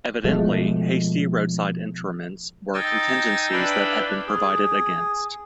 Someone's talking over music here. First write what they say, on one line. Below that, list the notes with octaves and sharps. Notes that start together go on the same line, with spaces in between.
Evidently hasty roadside interments were contingencies that had been provided against.
B2 F3 G#3 A3
D#4 G5 G#5 E6 A6
D4 E4 B4 F5 G5 B5
G#4